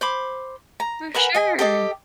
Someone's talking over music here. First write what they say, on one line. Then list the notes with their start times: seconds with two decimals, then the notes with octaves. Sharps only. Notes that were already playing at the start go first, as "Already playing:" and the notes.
For sure.
0.01 C5 B5 D6
0.80 A#5
1.14 A#4 B4 F#5 G#5
1.35 D#5 G#5
1.59 G4 A4 D#5 D6